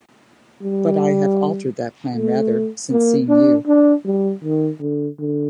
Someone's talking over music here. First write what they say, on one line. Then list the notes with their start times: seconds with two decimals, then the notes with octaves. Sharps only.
But I have altered that plan rather since seeing you.
0.62 G3
2.15 A3
2.91 A#3
3.29 D4
3.67 D4
4.06 G3
4.43 D#3
4.81 D3
5.19 D3